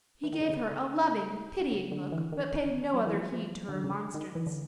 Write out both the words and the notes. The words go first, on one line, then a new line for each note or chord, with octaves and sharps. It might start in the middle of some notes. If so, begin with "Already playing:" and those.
He gave her a loving, pitying look, but paid no other heed to her remonstrance.
E3
D#3
D3
C#3
C#3
D3
E3
D#3
F#3
E3
F3
F3
D3
C#3
D#3
E3
D3